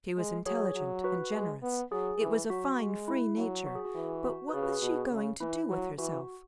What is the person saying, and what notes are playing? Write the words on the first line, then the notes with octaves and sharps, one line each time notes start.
She was intelligent and generous; it was a fine free nature; but what was she going to do with herself?
G#3
F#3 G#4 C#5
F#3
F#4 B4
G#3
B3
F#3 G#4
E3
F#3 F#4
G#3
E4
F#3
F#4
G#4
F#4
E3
F#4
B4
C#3 G#4
F#4 B4
G#4
B2 F#4
C#3
E3 E4
F#3
E3 F#4